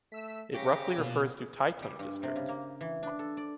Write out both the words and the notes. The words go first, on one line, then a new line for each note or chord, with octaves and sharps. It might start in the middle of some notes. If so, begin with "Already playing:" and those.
It roughly refers to Taitung district.
A3 E6 B6
C#3 G4 C#6 A#6 B6
B2 A#3 F4
G3
G2
C3
C#3
A#3
E3
D4
A4
D5